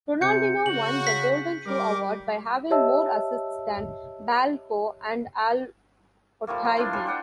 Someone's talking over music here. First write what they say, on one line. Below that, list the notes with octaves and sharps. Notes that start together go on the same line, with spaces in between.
Ronaldinho won the Golden Shoe award by having more assists than Blanco and Al-Otaibi.
C3 G6 C#7
C#3 F#4 F#7
B6
G3 A#4 D6
G4 C#5 D#5 E5 A5 E6
F3 G3 A3 A#3
C5
D4 E4 F4 C5
G3 C5 G#5
D5 F#5 G5